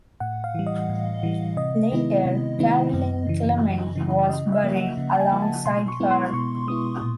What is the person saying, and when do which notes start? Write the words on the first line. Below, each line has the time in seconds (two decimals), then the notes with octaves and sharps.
Later, Caroline Clement was buried alongside her.
0.20 A2 F#5
0.44 F5
0.55 E3 G3
0.67 D#5
0.89 A2
1.23 E3 G3
1.57 C3 D#5
1.92 D#3 G#3 B3 E4
2.25 C3
2.59 D#3 G#3 B3 E4
2.93 F#2
3.27 C#3 E3
3.61 F#2
3.96 C#3 E3
4.29 C#3 D#5
4.52 E5
4.63 F3 A#3
4.75 F#5
4.97 C#3
5.14 A5
5.20 G#5
5.32 F3 A#3
5.42 A5
5.66 B2 C6
5.88 C#6
6.00 G#3 B3 E4
6.11 C6
6.33 B2 C#6
6.67 G#3 B3 E4 D#6
7.01 A#2